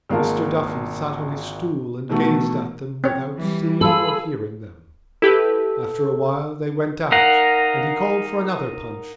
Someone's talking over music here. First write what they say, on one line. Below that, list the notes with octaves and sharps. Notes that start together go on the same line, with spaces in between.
Mr. Duffy sat on his stool and gazed at them, without seeing or hearing them. After a while they went out and he called for another punch.
G#1 G#3 A#3 F4 A#4 A5
B2 D#3 E3 A3 F#4
C4 C#5
E3 G3
F4 G#4 A4 B5 E6
E4 G4 A4 B4
D#4 A#4 F5 F#5